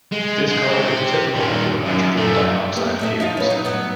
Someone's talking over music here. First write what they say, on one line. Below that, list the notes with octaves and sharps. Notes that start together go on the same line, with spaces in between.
This color is typical for nitrogen dioxide fumes.
G#3
G#3
C4 G4
A#2 D#3
F#2
F#2 A3
A#3 B3 G4
A3 E4 D#5
F3 D#4 F4
C#4 B4
F#3 D#4
G2 F#3 B3